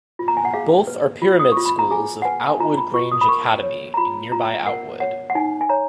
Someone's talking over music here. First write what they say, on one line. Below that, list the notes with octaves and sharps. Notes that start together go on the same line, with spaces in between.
Both are pyramid schools of Outwood Grange Academy in nearby Outwood.
F4
A#5
G#5
F#5
G#4 F5
B4
F4
D#6
F4 C#6
B5
A#5
G#4 G#5
F#5
B4 G#5
G#5
F4 A#5
B5
F4 C#6
D#6
B5
A#4 C#6
C#5
A#5
F4 B5
F4 A#5
A#4 F#5
C#5 F#5
F#5
D#4 G#5
G#5
C#5 A#5